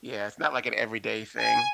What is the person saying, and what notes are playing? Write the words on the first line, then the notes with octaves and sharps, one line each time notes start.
Yeah, it's not like an everyday thing,
G#5